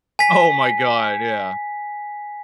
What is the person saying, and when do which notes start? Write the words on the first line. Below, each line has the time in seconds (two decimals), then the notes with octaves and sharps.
Oh my god. Yeah.
0.19 G#5 B6